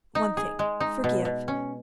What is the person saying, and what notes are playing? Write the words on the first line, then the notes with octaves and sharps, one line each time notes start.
One thing: forgive...
D#4
G#4
G#3
D#4
B2
B2
C#4